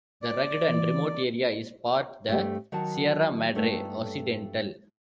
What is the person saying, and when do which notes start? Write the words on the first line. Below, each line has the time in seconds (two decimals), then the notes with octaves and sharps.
The rugged and remote area is part the Sierra Madre Occidental.
0.22 D5
0.68 E3
2.28 G2 A3 C4 G4
2.72 D#3 F#3 A#4 F#5 A5
3.55 G2 A3 B3 D#4 A4